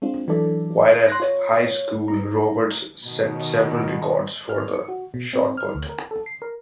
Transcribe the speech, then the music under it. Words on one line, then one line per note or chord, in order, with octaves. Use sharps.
While at high school, Roberts set several records for the shot put.
G#3 C4 D4 F4
E3 F#3 D4 A4 D5
C6 F#6 A#6
F4 C#5
A#5
B2 D#3
F6
C#7
F#4
B2
C4
F6
D2
A#4
A4
C7
A#4